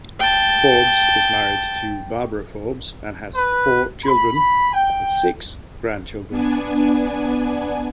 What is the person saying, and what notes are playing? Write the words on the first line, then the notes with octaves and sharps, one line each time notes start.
Forbes is married to Barbara Forbes and has four children and six grandchildren.
G5 A5
B4
B5
G5
B3 D4 G#5